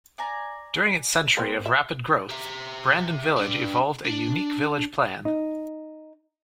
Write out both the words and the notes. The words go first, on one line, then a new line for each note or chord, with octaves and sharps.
During its century of rapid growth, Brandon Village evolved a unique village plan.
D5 G#5 A#5
B3 C4 A#4
E5
G4 E5
G3 D4
D4
D#4